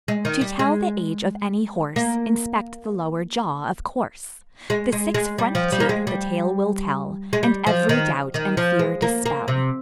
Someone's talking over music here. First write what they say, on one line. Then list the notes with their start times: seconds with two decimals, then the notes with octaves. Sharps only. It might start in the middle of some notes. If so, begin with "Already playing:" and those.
To tell the age of any horse, Inspect the lower jaw, of course; The six front teeth the tale will tell, And every doubt and fear dispel.
0.08 G#3
0.25 D#3
0.41 G3
0.59 G#3
1.96 A#3
4.70 G#3
4.92 G#3
5.14 G#3
5.38 G3
5.55 F3
5.72 G3
5.80 A#3
5.89 G#3
6.07 G3
7.33 G#3
7.43 G3
7.67 F3
7.89 D#3
8.34 D#3
8.57 F3
8.79 G#3
9.02 A#3
9.26 A#3
9.48 C3